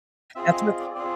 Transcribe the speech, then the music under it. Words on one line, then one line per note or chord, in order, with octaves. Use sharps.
That's what
C4 F4 G#4 E5
D#5
D#5
D5
C4 F4 G#4 D5